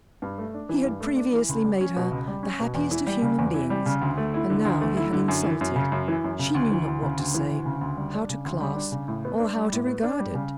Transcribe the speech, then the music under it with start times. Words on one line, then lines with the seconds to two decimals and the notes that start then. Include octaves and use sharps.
He had previously made her the happiest of human beings, and now he had insulted--she knew not what to say, how to class, or how to regard it.
0.22 G2
0.38 A3
0.54 D4
0.69 E3
0.85 G2
1.01 A3
1.16 D4
1.33 E3
1.49 C#2
1.64 G3
1.81 C#4
1.97 B2
2.11 C#2
2.28 G3
2.43 C#4
2.60 B2
2.75 E2
2.91 E3
3.07 G3
3.22 C#3
3.38 E2
3.54 E3
3.70 G3
3.86 C#3
4.01 D2
4.18 A3
4.34 E4
4.50 D3
4.65 D2
4.81 A3
4.97 E4
5.13 D3
5.28 F#2
5.44 E3
5.61 F#2
5.76 C#3
5.92 F#2
6.08 E3
6.24 F#2
6.39 C#3
6.54 D2
6.71 E3
6.87 D2
7.02 C#3
7.19 D2
7.34 E3
7.51 D2
7.66 C#3
7.81 D2
7.97 G3
8.14 D4
8.29 C#3
8.45 D2
8.60 G3
8.76 D4
8.92 C#3
9.08 A2
9.25 B3
9.39 D4
9.56 G3
9.72 A2
9.87 B3
10.03 D4
10.20 G3
10.35 C#3